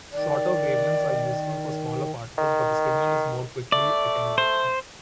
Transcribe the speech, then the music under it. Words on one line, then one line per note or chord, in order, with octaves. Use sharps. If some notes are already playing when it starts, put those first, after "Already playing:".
Shorter wavelengths are useful for smaller particles, but the signal is more quickly attenuated.
D#3 D5
D#3
A3 D5
C5